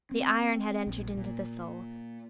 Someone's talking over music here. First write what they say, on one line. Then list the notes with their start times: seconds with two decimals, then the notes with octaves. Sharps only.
The iron had entered into the soul.
0.11 C4
0.87 A#1
1.17 A#2